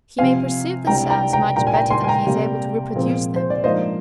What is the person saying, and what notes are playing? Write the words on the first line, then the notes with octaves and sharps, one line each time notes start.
He may perceive the sounds much better than he is able to reproduce them.
C3 F3 C4 F5 G#5
C2 C3 G3 D4 G5 A#5
G5 A#5
G5 A#5
A#2 G3 D4 G5 A#5
G#5
G5 A#5
G#5 C6
G#5
G5 A#5
C3 G3 A#3
A#2 F3 G#3 C4
C5
D5
G#2 F3 A#3 D4 C5 D#5